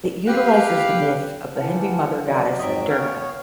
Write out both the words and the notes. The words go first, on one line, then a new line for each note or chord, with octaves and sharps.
It utilizes the myth of the Hindu mother Goddess, Durga.
G4 B4 F5
E3 F3 F#5 A5
F#3 D5
F2 G#2 D#5 E5 G5
B3 C#5 F5